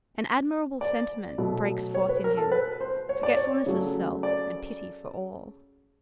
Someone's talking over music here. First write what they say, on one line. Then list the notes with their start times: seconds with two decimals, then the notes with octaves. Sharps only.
An admirable sentiment breaks forth in him, forgetfulness of self and pity for all.
0.81 D5
1.38 B2 F#3 A3
1.95 C#5
2.09 B4
2.24 A#4
2.37 A4
2.52 B4
2.81 C5
3.09 C#5
3.23 D5
3.37 C#5
3.66 C#3 F#3 A3
4.23 D5